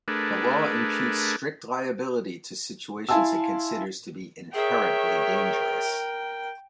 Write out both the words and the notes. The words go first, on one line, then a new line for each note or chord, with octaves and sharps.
The law imputes strict liability to situations it considers to be inherently dangerous.
A3 D4 G#4 A#4 B4
E4 F5 G#5 A5 C6 E6
G#4 A#4 C#5 E5 G5